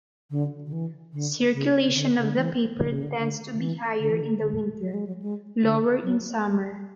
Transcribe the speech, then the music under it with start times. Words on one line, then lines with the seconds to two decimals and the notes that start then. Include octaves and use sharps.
Circulation of the paper tends to be higher in the winter, lower in summer.
0.30 D3
0.66 D3
0.72 E3
1.13 D3
1.54 C#3
1.87 C#3
1.95 D3
2.17 C#3
2.26 D3
2.36 E3
2.76 D3
2.90 C#3
3.03 D3
3.17 D3
3.53 D3
3.58 E3
3.99 D3
4.10 E3
4.21 D3
4.40 D3
4.81 F#3
4.94 G#3
5.07 F#3
5.22 G#3
5.63 D3
6.03 F#3
6.44 G#3